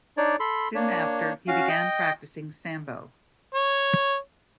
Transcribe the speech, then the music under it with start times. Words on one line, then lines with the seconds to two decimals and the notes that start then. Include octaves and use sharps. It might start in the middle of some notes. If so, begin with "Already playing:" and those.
Soon after, he began practicing sambo.
0.17 D4 D#4 C#5 D5
0.40 A4 B5 C6
0.75 A#3 D4 C#5
1.48 C#4 F#4 F5
1.69 D#5 G5
3.55 C#5